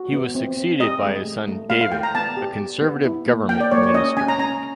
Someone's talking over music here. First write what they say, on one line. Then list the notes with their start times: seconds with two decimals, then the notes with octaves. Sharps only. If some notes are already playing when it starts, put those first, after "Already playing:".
He was succeeded by his son David, a Conservative government minister.
Already playing: F#4
0.13 B3
0.35 C4
0.57 C4
0.80 G4 D#5
1.03 G#3
1.25 A3
1.47 A3
1.69 A3 F5
1.81 F5
1.92 A3 G5
2.03 A#5
2.15 B3 A5
2.37 G4
2.60 G4
2.82 B3
3.05 E4
3.26 A#3
3.49 A#3 G5
3.60 D5
3.71 A#3 C#5
3.83 C#5
3.94 C#4 D#5
4.17 C#4 G#5
4.28 A#5
4.39 C#4 A#5